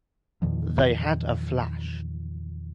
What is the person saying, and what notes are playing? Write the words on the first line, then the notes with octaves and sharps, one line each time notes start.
They had a flash.
E2 A#2 D#3 F3